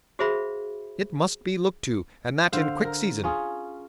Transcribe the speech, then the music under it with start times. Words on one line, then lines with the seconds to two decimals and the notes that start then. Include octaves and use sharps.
It must be looked to, and that in quick season.
0.19 F#4 G#4 C5 E5 F5 B5
2.52 D3 C5 F5
2.85 A#4
3.24 C#4 F4 G#4